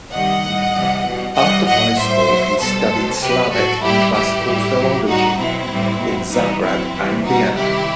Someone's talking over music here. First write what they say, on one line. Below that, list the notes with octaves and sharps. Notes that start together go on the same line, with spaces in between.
After high school he studied Slavic and classical philology in Zagreb and Vienna.
C3 D#3 G3 D#5 F#5
A2 G3
C3 E3 G3
B2 G3
C3 E3 G3 D#5 F#5
A2 F#3 D#5 F#5
A2 G3 C5 E5
B2 F#3
B2 G3 A4 C5
F#3
B2
C3 F#3 G4 B4
A2 F#3 F#4 A4
A2 G3 E4 G4
A2 E3 G3 E4 G4
A2 G3
A2 F#3
A2 G3 D#4 F#4
B2 F#3 C4 E4
A2 E3 G3
B2 F#3
C3 E3 G3 B3 D#4
B2 F#3 C4 E4
C3 E3 G3
B2 G3 D#4 F#4
C3 D#3 G3 E4 G4